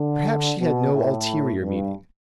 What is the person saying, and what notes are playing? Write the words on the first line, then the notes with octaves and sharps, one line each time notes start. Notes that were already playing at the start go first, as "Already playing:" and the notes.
Perhaps she had no ulterior meaning.
Already playing: D3
B2
A2
G2